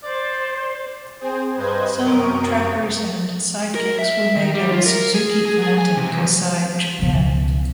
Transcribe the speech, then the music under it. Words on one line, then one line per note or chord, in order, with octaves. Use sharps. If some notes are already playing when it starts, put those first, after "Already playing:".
Some Trackers and Sidekicks were made at a Suzuki plant in Kosai, Japan.
C5 D5
C4 G#4 C5
G2 B4 C5 D#5 G#6
F#2 C3 A#4 C#6 D#6 D7
A#4
E5
D#3
G3
F4
A#4
G#4
G#4
G#4
G#5
C3
E2
C#2 B2